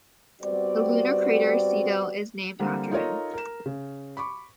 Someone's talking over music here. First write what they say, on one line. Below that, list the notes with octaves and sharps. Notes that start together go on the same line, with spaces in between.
The lunar crater Seidel is named after him.
G3 B3 C4 F#4 D5
D3 G3 A#3 C4
D#4 F4 A4 A#4 C#5 D#5
A#4 E7
C#3
B5 C#6 D6